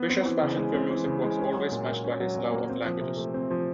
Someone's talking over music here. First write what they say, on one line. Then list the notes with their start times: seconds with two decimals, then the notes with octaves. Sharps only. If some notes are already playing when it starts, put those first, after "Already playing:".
Fischer's passion for music was always matched by his love of languages.
Already playing: B3
0.10 C4
0.26 E3
0.42 C#3
0.57 G#3
0.74 C4
0.90 E3
1.06 C#3
1.23 G#3
1.39 C#4
1.55 F#3
1.71 A#2
1.88 A#3
2.04 C#4
2.20 F#3
2.36 A#2
2.52 A#3
2.69 C4
2.85 F3
3.01 C3
3.17 A3
3.34 C4
3.50 F3